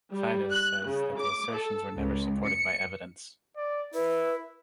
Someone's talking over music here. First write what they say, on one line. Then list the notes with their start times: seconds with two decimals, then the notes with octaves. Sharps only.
Fiddes says that the assertions were never supported by evidence.
0.11 G3
0.51 F#6
0.87 C#3
1.21 D6
1.56 A4
1.96 C#2
2.46 C#7
3.57 D5
3.94 E4 B4